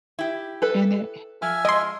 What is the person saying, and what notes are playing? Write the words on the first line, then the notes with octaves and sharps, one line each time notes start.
in it?
E4 G4
A4 B4
F3 E5 G#5 F6
G#3 D#5 C6